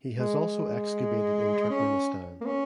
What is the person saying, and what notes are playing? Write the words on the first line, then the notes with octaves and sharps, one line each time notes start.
He has also excavated in Turkmenistan.
G#3
C#4
A#3
C#4